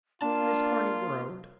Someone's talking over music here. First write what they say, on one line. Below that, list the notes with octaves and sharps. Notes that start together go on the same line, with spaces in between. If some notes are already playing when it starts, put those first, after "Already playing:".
Miss Corny groaned.
A#3 D4 F4 A5